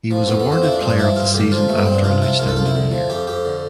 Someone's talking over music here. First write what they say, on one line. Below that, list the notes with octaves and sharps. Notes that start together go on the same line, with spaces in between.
He was awarded player of the season after an outstanding year.
F3
F2 B3
B3
F2
C4
F3 E4
D4
G2 C4
D4
F3 E4
G2 F4
D3 G4
F3 F4
G2 A3
B3
G2 C4
D4
C3 F4
F3 E4
C2 F4
A4
C2 F4
E4
D3
F3
F2 G4
F2 G4
D3